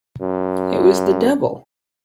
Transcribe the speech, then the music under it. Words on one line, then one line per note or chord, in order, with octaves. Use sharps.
It was the devil!
F#2